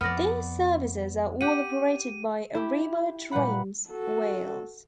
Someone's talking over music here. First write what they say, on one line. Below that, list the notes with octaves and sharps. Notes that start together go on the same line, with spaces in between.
These services are all operated by Arriva Trains Wales.
F2 B3 D5 F6 A#6
G4 F#5 D#7
E4 G4
A#2 G3 B4 F#5 B5
F#4 A4